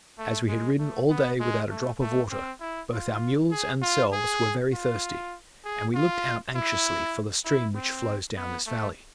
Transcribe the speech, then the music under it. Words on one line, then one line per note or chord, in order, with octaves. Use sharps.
As we had ridden all day without a drop of water, both our mules and selves were very thirsty, and we looked out anxiously for the stream which flows down this valley.
A3
G#3
A3
B3
G#3
A3
A3
C4
E4
F4
G#4
F4
G#4
F4
G#4
F4
E4
E4
C4
B3
A3